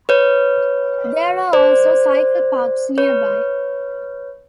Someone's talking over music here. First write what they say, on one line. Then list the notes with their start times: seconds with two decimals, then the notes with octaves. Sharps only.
There are also cycle parks nearby.
0.09 B4 C#5
1.53 C5 D5
2.98 B4 C#5